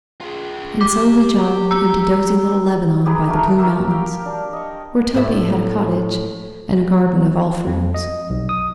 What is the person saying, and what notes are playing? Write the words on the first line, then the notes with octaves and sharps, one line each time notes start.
And so we jogged 'into dozy little Lebanon by the Blue Mountains, where Toby had a cottage and a garden of all fruits.
F4 G#4
G4 C6 D6
A#5 E6
G4 G#4 B4 A#5
A3 F#4 A#4
F#4 G4 A#4 E5
F5 G5
D4
D#5 C#6
A2 D5 E5
F2
D#5
B1
D#6